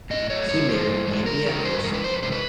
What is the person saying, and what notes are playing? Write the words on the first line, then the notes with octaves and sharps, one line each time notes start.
He married Ambia Corson.
A2 D#5
F#3 A3 C#5
G2 C#5
E3 G#3 C5
G2
E3 G#3
G2 A#4
E3 G#3 A#4
G2 C5
B4
E3 G#3 A#4
B4
F2 C5
B4
C3 E3 G#3 C5
B4